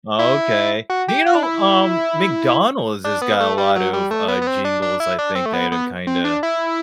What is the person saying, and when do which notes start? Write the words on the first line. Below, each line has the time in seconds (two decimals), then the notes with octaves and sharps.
Okay. Do you know, um, McDonald's has got a lot of, uh, jingles, I think, that have kinda
0.19 E4
0.90 F#4
1.08 G4
1.26 F#4
1.35 D4
1.43 E4
3.04 D4
3.22 B3
3.40 A3
3.58 G3
3.76 F#3
3.93 G3
4.11 A3
4.28 B3
4.42 B3
4.47 C4
4.65 D4
4.82 D4
5.00 E4
5.18 D4
5.35 C4
5.46 A3
5.53 B3
5.72 B3
6.07 C4
6.24 D4
6.43 E4